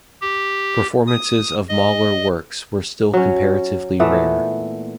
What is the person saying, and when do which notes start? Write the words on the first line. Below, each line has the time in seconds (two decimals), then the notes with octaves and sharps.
Performances of Mahler works were still comparatively rare.
0.22 G4
1.07 D#6
1.69 D#5
3.14 F#3 C#4
4.00 A#2 E3 A3 B3